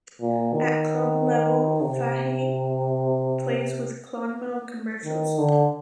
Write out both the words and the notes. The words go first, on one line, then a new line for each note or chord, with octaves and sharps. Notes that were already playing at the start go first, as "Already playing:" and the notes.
At club level Fahey plays with Clonmel Commercials.
A#2
D#3
C3
D#3
D3